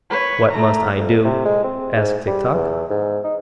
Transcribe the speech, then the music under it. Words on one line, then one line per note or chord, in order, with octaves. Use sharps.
"What must I do?" asked Tik-Tok.
B4 C#5
A3 A#5
F2
C3
G#3
C4
G#2
G3
E2
G#2
D#4